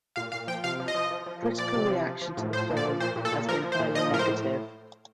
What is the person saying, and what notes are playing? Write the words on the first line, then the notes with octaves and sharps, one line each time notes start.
Critical reaction to the film has been highly negative.
A#2 F5
A#2 F5
F3 G5
C3 F5
F3
D#5
F3
F3
F3
A#2
F3 D5
C3
F3
F3
F3
A2
F3 C5
A#2
D5
F3
A#2 C5
A#2
A4
A#2
F3 A#4
F3
C5
A#2
F3 D#5
A2 A#4
C5
A2